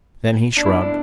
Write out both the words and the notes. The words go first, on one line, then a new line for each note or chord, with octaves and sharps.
Then he shrugged.
D4
E4
D4